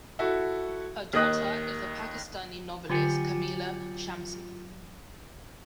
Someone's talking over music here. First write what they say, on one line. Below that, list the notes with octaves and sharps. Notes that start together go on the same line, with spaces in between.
Her daughter is the Pakistani novelist Kamila Shamsie.
E4 F#4 A4
D#2 D#3 D#5 D#6 F#6
D3 F#3 F4 G4 G#5 A6 C#7